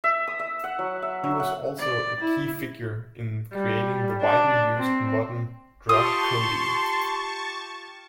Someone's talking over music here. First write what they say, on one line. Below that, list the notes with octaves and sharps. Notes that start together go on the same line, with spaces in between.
He was also a key figure in creating the widely used modern drug codeine.
E5
D#6
E5
F#5
F#3
E5
F#3
F#5
D5
E4
G3
D4
C4
F4 G4 A5 C6 C#6 D#6